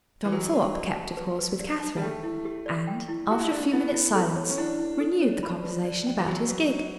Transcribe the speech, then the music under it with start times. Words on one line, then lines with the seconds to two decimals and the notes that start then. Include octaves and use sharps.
John Thorpe kept of course with Catherine, and, after a few minutes' silence, renewed the conversation about his gig.
0.25 E3
0.32 F#3 B4
0.53 B4
0.75 D5
0.96 A5
1.17 B4
1.39 B4
1.60 D5
1.81 A5
1.97 G3
2.02 A3 G5
2.23 E4
2.45 G4
2.66 D5
2.87 G5
3.08 E4
3.30 F#4 G4
3.41 E4
3.51 D4 D5
3.62 C#4
3.72 B3 E4
3.94 E4
4.15 A4
4.36 C#5
4.50 C#4
4.58 D4 E4
4.79 E4
5.00 A4
5.22 C#5
5.43 B5
5.64 B4
5.85 D5
6.07 G5
6.19 E3
6.28 F#3 B5
6.49 B4
6.70 D5